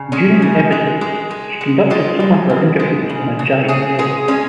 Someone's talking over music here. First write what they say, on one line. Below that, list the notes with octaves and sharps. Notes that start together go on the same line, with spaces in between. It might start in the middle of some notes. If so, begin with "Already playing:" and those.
During the episodes, she conducted some of her interviews on a giant bed.
Already playing: C#3
G#3 C#4
C#3
G#3
G#3
G#3
G#3
G#3 F4
G#3
C#3
G#3
C#3
C#3
C#3 G#4
G#3 G#4
G#3 C#4